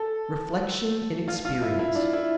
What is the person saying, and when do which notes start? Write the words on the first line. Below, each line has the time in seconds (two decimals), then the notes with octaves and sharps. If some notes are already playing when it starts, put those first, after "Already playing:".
Reflection in Experience.
Already playing: A4
1.28 F4
1.45 F4
1.61 E4
1.79 E4
1.95 D4
2.13 E4